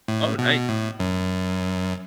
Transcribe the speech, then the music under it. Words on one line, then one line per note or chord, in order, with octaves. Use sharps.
Oh, nice.
A2
B2
A2
F#2